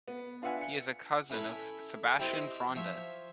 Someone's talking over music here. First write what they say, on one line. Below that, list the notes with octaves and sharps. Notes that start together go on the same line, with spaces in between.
He is a cousin of Sebastian Fronda.
B3
D4 F4 B4 E5 F#5 G#5
C#7
C#4 E4 A4 B4 C#5
C4 E4 G4 C5 D#5 A#5
F3 C#5 E5